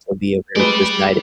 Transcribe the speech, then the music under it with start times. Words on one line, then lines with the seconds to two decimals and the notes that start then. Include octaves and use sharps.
it'll be a very cozy night i
0.56 G#3 G4 B4 D5